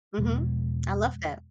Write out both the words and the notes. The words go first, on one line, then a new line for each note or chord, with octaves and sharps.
Mhm, I love that.
E2 B2 F3 G#3